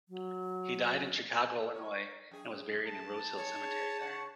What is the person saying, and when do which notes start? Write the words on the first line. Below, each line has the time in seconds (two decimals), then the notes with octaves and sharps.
He died in Chicago, Illinois, and was buried in Rosehill Cemetery there.
0.09 F#3
1.74 A#4 C#5
2.31 F#2 G#4
2.86 A5
3.37 D#4 G#4 C#5
4.00 C#3 C#5 F#5